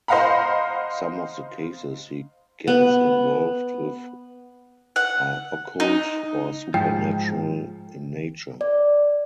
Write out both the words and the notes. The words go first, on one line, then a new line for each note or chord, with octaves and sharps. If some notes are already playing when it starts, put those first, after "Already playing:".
Some of the cases he gets involved with are occult or supernatural in nature.
C5 D#5 F5 F#5 A#5 B5
B3
F#5
D#4
G#2 F3 G5
D5